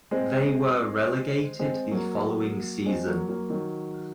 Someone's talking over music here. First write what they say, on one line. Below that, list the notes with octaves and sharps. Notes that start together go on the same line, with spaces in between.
They were relegated the following season.
G#3 C4
G#3 C4
F#3 A#3
G#3 C4
F#3 A#3
F#3 A#3
D#3 F#3